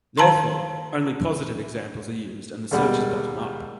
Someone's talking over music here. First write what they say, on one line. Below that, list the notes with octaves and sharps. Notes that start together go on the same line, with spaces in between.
Therefore, only positive examples are used and the search is bottom-up.
D#3 F5 A5 A#5 C6
D#2 B2 G3 G#3 F#5 B5